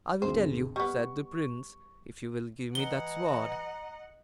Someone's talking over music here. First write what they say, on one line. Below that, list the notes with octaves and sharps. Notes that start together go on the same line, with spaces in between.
"I will tell you," said the prince, "if you will give me that sword."
G#1 D2 G#4 C5
G3 B3 C#6
E3 D#5 F#5 A#5 G7